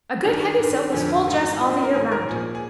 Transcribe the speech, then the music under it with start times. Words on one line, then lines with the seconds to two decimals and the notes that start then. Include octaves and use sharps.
A good heavy silk was full dress all the year 'round.
0.25 G2 D#3 D4
0.58 G2 D#3
0.92 F2 D3 F3 G#4
1.27 G#2 D#3
1.61 G2 F3
1.70 C5
1.83 A#4
1.94 G#2 D#3 G#4
2.12 A#4
2.28 A#2 F3 G#4
2.55 G#4